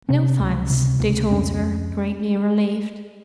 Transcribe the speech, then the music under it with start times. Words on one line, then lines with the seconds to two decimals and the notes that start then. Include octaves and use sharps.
"No, thanks," they told her, greatly relieved.
0.09 C3 C#4
0.40 C#2
0.70 C3
1.00 C#2
1.31 F2 C#4